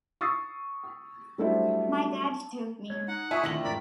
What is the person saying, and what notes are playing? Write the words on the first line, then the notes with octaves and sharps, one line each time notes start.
My dad took me.
C#6 D#6 E6 A6 C7
F#3 G3 A3 D4 E4 C5
G#3 C#5
D#4 F#5
F4 E5 G#5 C#6 D#6
D3 D#3 A3 C4 E4 A#6 F#7
E2 G#2 A#4 D5 B5